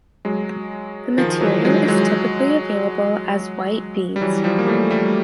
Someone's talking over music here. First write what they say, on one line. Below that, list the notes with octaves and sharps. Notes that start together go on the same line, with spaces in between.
The material is typically available as white beads.
F#3 G#3
D#3 F3
E3 F#3
F#3 G#3
F#3 G#3
G3
E3 F#3
F3 G3
A#3
G3 A3
G3 A3